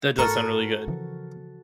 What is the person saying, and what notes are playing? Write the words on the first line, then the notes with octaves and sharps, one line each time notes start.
That does sound really good.
G#2 A3 F#4 A4 A#4 C#6
C#3 E3 F3